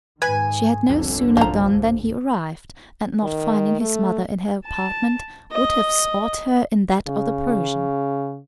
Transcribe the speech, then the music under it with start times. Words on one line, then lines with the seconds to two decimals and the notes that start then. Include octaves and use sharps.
She had no sooner gone than he arrived, and not finding his mother in her apartment, would have sought her in that of the Persian.
0.22 G#2 D#3 B4 G#5
0.90 G1 C2 F2 D3
1.37 A#1 F#2 F3 A#5
3.23 D#3
3.81 A3
4.65 A5
5.52 D#5
7.08 C#3